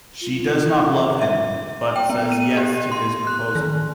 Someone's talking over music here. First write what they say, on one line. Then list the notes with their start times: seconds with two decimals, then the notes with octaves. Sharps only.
She does not love him but says yes to his proposal.
0.22 F4
1.21 E5
1.96 G5
2.09 B3
2.32 D#7
2.57 G4
2.92 C6
3.27 F#6
3.55 D#3